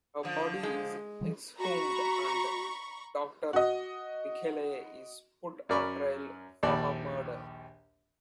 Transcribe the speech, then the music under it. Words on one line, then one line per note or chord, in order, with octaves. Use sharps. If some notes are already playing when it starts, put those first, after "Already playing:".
Her body is exhumed and Doctor Bickleigh is put on trial for her murder.
D3 F3
G#3
E3 F3 G3
F#4 A#5 B5 C#6
F#4 D#5
F#2 A#4 D5 B5 C#6
A#1 D#2 D5 A5